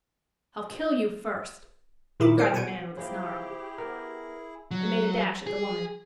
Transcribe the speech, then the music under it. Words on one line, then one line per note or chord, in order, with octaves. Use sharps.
"I'll kill you first!" cried the man with a snarl, and made a dash at the woman.
A#2 D#3 D#4 E4 E5 D6
G3 A#4 C5 C7 D7
B2 F#5 G#5 G6 G#6 D7
C3 A#3 E4 F4 G4 G#4
B3 A#4
F#3
G#4